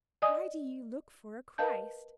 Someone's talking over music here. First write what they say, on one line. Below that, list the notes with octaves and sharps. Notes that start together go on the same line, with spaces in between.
Why do ye look for a Christ?
D5 D#5 G#5 D#6
A#4 B4 D#5 F5 A5 G6